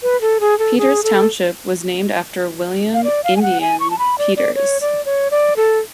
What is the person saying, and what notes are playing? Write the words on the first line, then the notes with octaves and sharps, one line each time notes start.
Peters Township was named after William "Indian" Peters.
B4
A4
G#4
A4
G#4
A4
F5
D5
F5
G#5
F#5
G#5
C#6
A5
B5
D5
D5
C#5
D5
C#5
D5
A4